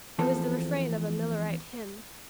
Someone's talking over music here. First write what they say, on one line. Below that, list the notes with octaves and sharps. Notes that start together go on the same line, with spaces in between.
It was the refrain of a Millerite hymn.
E2 F3 C4 A4